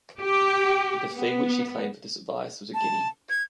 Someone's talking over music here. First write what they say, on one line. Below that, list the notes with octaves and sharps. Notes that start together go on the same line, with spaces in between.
The fee which he claimed for this advice was a guinea.
G4
B3
A5
G#6